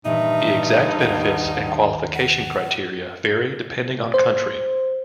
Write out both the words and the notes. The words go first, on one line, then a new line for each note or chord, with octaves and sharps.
The exact benefits and qualification criteria vary depending on country.
G2 A#2 D#3 E3 D#4 E5
D#2 C5 F5 F#5
F#5
C5